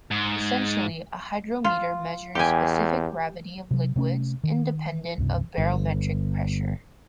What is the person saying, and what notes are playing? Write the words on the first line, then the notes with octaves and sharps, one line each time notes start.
Essentially, a hydrometer measures specific gravity of liquids independent of barometric pressure.
G#2
F4
E2 G4 G#5
C3 F#3
C3 A3 C#4
D#3
C#2 G2 C3
G1